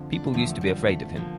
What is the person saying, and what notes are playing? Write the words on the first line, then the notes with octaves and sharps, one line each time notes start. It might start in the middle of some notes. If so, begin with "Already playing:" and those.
People used to be afraid of him.
Already playing: F2 D3 F3
D4
E2 D3 F3 A3
G3
A3
D3 F3 A#3